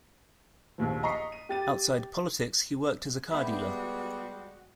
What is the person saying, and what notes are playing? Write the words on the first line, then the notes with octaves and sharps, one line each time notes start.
Outside politics he worked as a car dealer.
A#1 D#2 F3
D#5 A#5 C#6 D#6 B6 C7
D#7
G4 A6 D#7
G3 G#3 B3 F#4 E5 B5